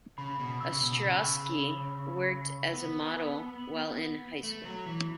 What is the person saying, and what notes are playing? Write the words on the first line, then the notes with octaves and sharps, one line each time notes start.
Ostrosky worked as a model while in high school.
C#3 B5
B2
C#3 E6
B2
C#3 B5
B5
B5
B5
B3 E6
B5
F#7
B6
A3 F#7
F#3
E3 B6